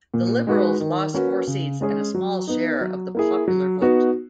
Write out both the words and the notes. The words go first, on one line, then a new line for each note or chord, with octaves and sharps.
The Liberals lost four seats and a small share of the popular vote.
A#2
G#3 D#4 F#4 B4
D#3
A#3 C#4 F#4 B4
C#3
G#3 C#4 G#4 C#5
F#3
B3 D#4
F#3
A#3 E4 G#4
F#3
B3 D#4 F#4